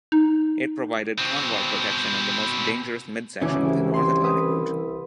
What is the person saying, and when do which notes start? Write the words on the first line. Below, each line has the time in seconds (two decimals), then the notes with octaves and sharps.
It provided convoy protection in the most dangerous midsection of the North Atlantic route.
0.12 D#4
1.18 B2 C4
3.42 D2 C#3 E3 C#4 D5
3.65 C2 E4
3.94 E4 C6
4.24 B4 D#6